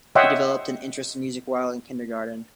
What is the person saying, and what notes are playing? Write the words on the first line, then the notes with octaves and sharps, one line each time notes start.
He developed an interest in music while in kindergarten.
C#5 D#5 E5 F#5 G5 C6